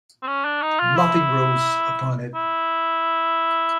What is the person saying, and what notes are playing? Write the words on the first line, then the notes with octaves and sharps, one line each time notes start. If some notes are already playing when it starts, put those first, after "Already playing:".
Nothing grows upon it.
C4
C#4
D4
D#4
F4
E4
E4